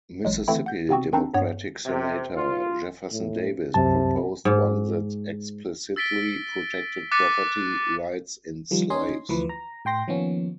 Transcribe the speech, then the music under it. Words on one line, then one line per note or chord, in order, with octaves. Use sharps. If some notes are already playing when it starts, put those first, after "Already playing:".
Mississippi Democratic Senator Jefferson Davis proposed one that explicitly protected property rights in slaves.
A1 F#3 G#3
D3 E3 A3 C4 E4
F#5 G6
C3 B3 C4 F#4
D#3 C4 D4 D#4
G2 B3 C#5
C3
F4
A2
C2 F#2 C3 A5
G#2
E6 A6 B6 D7 G7
D6 F#6 A6 B6 C#7 D#7
D#3 F3 G3
C#4 D#4 D#5 G#5 C6
D2 E3 F3 B4
A#5
A2 G5 C6 A#6
D#3 F3 A#3 B3 C#4